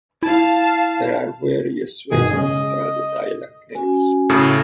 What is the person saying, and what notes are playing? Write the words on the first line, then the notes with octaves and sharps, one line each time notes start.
There are various ways to spell the dialect names.
E4 F5 A5
G1 B2 D#3 G#4
C#3 G#3 C#4 D#5
C#4 F#4 G#5
A2 C#3 A4